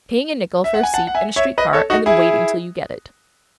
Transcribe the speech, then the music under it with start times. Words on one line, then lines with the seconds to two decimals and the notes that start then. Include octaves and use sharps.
Paying a nickle for a seat in a street-car and then waiting till you get it.
0.64 E5
0.74 F#5
0.83 G#5
0.94 F#5 A5
1.07 F#5
1.15 E5 G#5
1.36 C#5 E5
1.58 B4 D#5
1.73 A4 C#5
1.90 D#4 F#4
2.06 E4 G#4